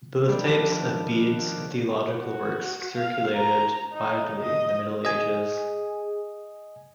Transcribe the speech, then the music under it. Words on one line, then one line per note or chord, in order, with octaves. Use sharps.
Both types of Bede's theological works circulated widely in the Middle Ages.
D#3 F3 G3 D4
F#4
F5
A#5
D#4
D#5
G#4 D#5 G#5